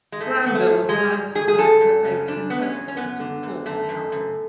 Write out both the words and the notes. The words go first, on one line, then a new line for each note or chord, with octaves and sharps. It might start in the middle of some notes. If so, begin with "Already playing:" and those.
Granda was allowed to select her favorite interpreters to perform on the album.
G#3
G#2 A3
G#2 B3
A3
G#2
G#2 G#3
G#2
G#2 G#4
G#4
F#2 A4
F#2
C#3
F#2 D4
F#2 B3
C#4
F#2
C#4
F#2 B3
D3
F#2
F#2 A3
F#2
F#2